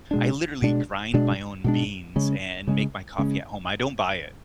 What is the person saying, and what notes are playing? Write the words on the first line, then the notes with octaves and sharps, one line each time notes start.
I literally grind my own beans and make my coffee at home, I don't buy it,
B2 G#3 D4
B2 G#3 D4
B2 G#3 D4
B2 G#3 D4
C#3 G#3 C#4
C#3 G#3 C#4
C#3 G#3 C#4